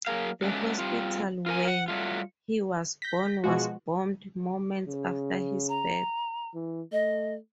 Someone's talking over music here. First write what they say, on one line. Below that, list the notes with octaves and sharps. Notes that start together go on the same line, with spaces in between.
The hospital where he was born was bombed moments after his birth.
F#3 A#3 G#4 A#4 F5
F#3 G#3 A3 B3 C#4 D4
G3 C4 F4
F4 A#4 G#5
F#5
F#3 G3 A3 F4
G6 A#6 B6
B2 F3 G#3 F#4
C#3
A#5
E3
A3 D#5